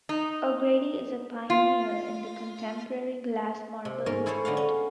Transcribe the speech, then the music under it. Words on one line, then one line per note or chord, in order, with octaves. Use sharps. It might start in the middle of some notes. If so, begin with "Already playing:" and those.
O'Grady is a pioneer in the contemporary glass marble movement.
D#4
F4
C3
G#2 C#4 A#4
E4 G#4 A4 C5 C#5
D3 B3 F#4 F5
C#4